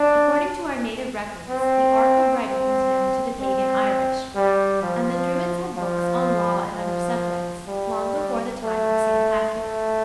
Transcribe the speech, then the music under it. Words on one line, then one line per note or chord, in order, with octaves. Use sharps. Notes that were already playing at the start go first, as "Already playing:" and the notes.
According to our native records the art of writing was known to the pagan Irish, and the druids had books on law and other subjects, long before the time of St. Patrick.
Already playing: D4
C4
C4
C4
G3
F3
F3
F3
G3
A3
A3